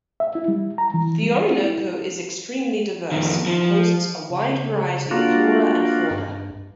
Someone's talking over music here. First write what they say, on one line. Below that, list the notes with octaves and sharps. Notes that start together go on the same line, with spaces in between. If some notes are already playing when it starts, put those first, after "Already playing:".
The Orinoco is extremely diverse and hosts a wide variety of flora and fauna.
E5
E4
G3
A#5
E3
G3
E4
F2 D#3
F3
C#3
A#3 D4 F4 F#4
G2